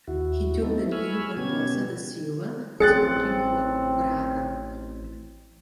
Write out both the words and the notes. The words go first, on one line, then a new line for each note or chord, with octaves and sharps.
He took Danilo Barbosa da Silva to Sporting Club of Braga.
D#2 E4 F#4
A3 B3 C4 D#4 E4 A4
G#5 B5 C#6 E6 F6
B2 B3 C#4 G4 G#6
A1 F#3 C4 G#4 F#6 A6 C#7